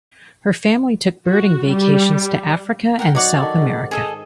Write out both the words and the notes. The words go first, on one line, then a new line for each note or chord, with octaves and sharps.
Her family took birding vacations to Africa and South America.
F#4
G3
A#4 F#5 G5
F#3 D#4 C#5 D5 F#5
D#3 D4 A4
G#2 D#3
G#4 A4 D#5